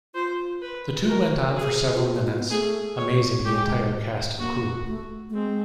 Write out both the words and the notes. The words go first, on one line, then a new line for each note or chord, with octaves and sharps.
The two went on for several minutes, amazing the entire cast and crew.
F4 C5
B4
F4
F#4 A#4
G#4
F4
F#4
F4
E4
B3
A3 G#4
C#5
G#3 G4
A#3 F#4
A3
A3
G#3 C4